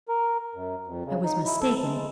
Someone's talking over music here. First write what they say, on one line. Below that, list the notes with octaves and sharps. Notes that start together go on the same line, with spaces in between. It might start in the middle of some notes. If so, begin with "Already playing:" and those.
I was mistaken.
A#4
F#2
F2
C#3
D#4
E4
A4
G#3